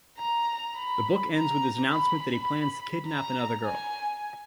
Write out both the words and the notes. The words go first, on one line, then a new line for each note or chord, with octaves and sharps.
The book ends with his announcement that he plans to kidnap another girl.
A#5
B5
A#5
B5
B5
A#5
G#5